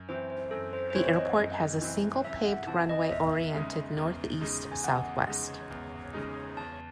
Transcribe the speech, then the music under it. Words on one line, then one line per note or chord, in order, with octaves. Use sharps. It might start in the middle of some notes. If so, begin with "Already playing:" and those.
The airport has a single, paved runway oriented northeast-southwest.
Already playing: F#2
E3 C4 E4 C5
C5
F#2 A4
C5
C5
E3 C4 E4 C#5
D#5
F#2
E3 C4 E4
F#2 E5
F#5
E3 C4 E4 A5
D#5
E2 E5
C#3 G#3 D#4
E2
C#3 G#3 D#4
G#5
E2 F#5
C#3 G#3 D#4
E2
C#3 G#3 D#4
E2 A5